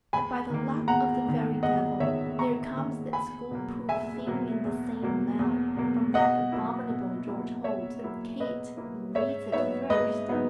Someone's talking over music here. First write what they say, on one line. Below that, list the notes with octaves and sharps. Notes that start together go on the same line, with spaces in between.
And by the luck of the very Devil, there comes that school-proof thing in the same mail, from that abominable George Holt, and Kate reads it FIRST.
E2 G#5 B5
D#3 A#3
E2 F#5 A#5
D#3 A#3
E2 D#5 F#5
D#3 A#3 C#5 E5
E2 A#5 C#6
D#3 A#3
E2 G#5 B5
B2 F#3 A#3
E2 E5 G#5
B2 F#3 A#3
E2
B2 F#3 A#3
E2
B2 F#3 A#3
B2 D#5 F#5
F#3 A#3 E4
B2
F#3 A#3 E4
B2 C#5 E5
F#3 A#3 E4
B2 B4 D#5
F#3 A#3 E4
G#2 C#5 E5
F#3 B3 D#4 C#5 E5
G#2 B4 D#5
F#3 B3 D#4